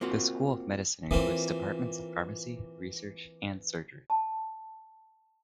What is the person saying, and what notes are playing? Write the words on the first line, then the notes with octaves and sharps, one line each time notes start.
The School of Medicine includes departments of Pharmacy, Research, and Surgery.
A#3 C4 F4 F#4
E3 A#3 C4 D#4 F4
A5